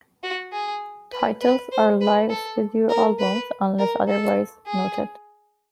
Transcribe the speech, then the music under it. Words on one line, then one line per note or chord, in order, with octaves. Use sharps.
Titles are live studio albums unless otherwise noted.
F#4
G#4
B4
B4
C5
B4
A4
A#4
B4
A#4
A4
G#4